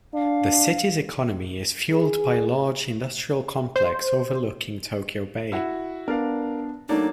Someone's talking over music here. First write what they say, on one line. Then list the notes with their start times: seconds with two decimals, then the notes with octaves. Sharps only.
The city's economy is fueled by a large industrial complex overlooking Tokyo Bay.
0.14 D4 F5
1.90 G#4
3.76 C5
5.52 E4 F#4
6.08 B3 D4 A#4 D5 F5
6.89 F#3 A3 A#3 D4 D#4